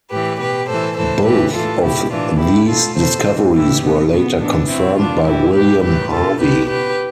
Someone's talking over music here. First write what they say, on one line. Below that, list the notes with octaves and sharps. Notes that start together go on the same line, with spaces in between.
Both of these discoveries were later confirmed by William Harvey.
A2 E3 G4 B4
B2 G4 B4
A2 E3 A4 C5
A2 E3 A4 C5
A2 E3 G4 B4
A2 E3 F4 A4
B2 E4 G4
A2 E3 D4 F4
B2 E4 G4
B2 F4 A4
B2 A4 C5
A2 E3
A2 E3 E4 G4
B2 B3
B2 B3
A2 E3 B3 D4
B2 C4 E4
B2 D4 F4
A2 E3 E4 G4
B2 G4 B4
A2 E3 G4 B4
B2 F4 A4
B2 G4 B4
B2 G4 B4